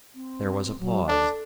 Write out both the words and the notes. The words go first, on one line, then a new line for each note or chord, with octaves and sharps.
There was a pause.
C4
F#3
D4 A4